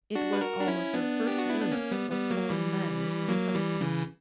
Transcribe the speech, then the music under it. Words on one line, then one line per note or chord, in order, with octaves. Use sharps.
It was almost their first glimpse of foreign manners and customs.
D4 F#4
B4
F#4 A#4
D4
C#4 E4
B3 D4
G4
F#4
E4
D4
A#3 C#4
G3 B3
G3 B3
F#3 A#3
E3 G3
F#3 A#3
E3 G3
C#3 E3